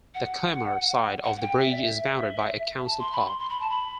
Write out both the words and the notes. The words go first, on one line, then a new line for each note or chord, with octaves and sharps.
The Chelmer side of the bridge is bounded by a council park.
F#5
F#5
F#5
G5
E5
D5
E5
A5
C6
B5
C6
C6
B5
A5
B5